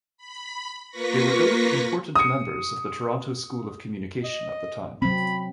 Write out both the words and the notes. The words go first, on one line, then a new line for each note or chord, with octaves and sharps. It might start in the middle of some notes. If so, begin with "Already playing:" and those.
They were both important members of the Toronto School of Communication at the time.
B5
A#3 F4 B4 B5 C#6 A#6
D#6 C#7
D#5
F#3 C4 B5